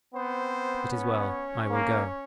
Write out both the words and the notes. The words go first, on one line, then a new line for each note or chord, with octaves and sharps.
"It is well; I will go."
B3 C4 C5
C#4 C#5
A#3